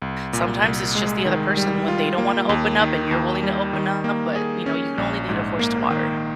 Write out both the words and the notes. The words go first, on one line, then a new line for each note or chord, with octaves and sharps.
sometimes it's just the other person when they don't wanna open up and you're willing to open up, but, you know, you can only lead a horse to water.
C2
A#2
C2
G#3
D#3
G3
F4
A#3
D#2
D#3
D#2
G3
D#3
A#3
G#4
C#4
A#1
G#2
A#3
D#3